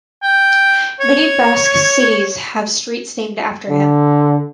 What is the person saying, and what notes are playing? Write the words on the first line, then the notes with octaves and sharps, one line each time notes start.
Many Basque cities have streets named after him.
G5
C#5
D3